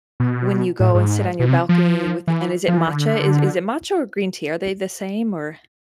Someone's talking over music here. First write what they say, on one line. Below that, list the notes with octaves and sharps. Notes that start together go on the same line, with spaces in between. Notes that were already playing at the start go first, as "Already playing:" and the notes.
when you go and sit on your balcony with and is it matcha, is is it matcha or green tea, are they the same, or
B2
A2
G#2
B2
C3
F3
E3
F3
E3
D3